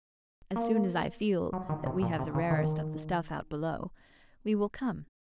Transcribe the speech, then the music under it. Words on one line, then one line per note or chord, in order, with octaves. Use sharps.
As soon as I feel that we have the rarest of the stuff out below, we will come.
A#3
F#3
D#3
C3
A#2
C3
C#3
D#3